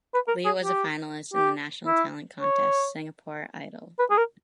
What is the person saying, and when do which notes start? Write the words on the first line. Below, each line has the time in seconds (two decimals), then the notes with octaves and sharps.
Lee was a finalist in the national talent contest, "Singapore Idol".
0.14 B4
0.28 A#4
0.45 G#4
0.63 G4
1.34 G4
1.87 E4
2.41 C#5
3.99 B4
4.10 G#4
4.18 A#4